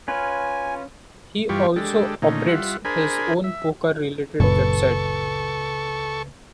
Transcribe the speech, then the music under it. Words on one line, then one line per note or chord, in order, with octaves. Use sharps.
He also operates his own poker-related website.
C#4 F4 B4 G#5
G2 E3 G3 F4 G4 C#6
G#3 D4 G4 A4
A#2 D3 D#3 A3 C#4 D#4
G3 F4 E5 F#5
D4 G#4 A#4 C5 G#5 B5
E5
F#1 C#2 F#2 A#2 C#3 A4 B4 C#6